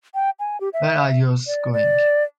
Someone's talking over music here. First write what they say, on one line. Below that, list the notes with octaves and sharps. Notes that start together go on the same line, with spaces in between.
Where are yous going?
G5
G#5
G4
E5
D5
D5